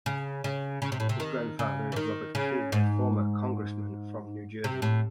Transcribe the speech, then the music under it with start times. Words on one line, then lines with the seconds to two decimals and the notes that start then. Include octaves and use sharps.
His grandfather is Robert Kean, a former Congressman from New Jersey.
0.06 C#3
0.44 C#3
0.82 C#3
0.92 C3
1.00 A2
1.09 C3
1.20 D#3
1.59 C#3
1.92 E3
1.96 D#3
2.35 C#3
2.72 G#2
4.64 C3
4.82 A2